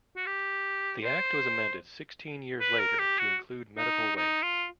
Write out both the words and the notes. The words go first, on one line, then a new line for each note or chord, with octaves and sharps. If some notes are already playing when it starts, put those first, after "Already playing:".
The Act was amended sixteen years later to include medical wastes.
F#4
G4
C5
B4
A#4
G4
F#4
D#4
D#4
F4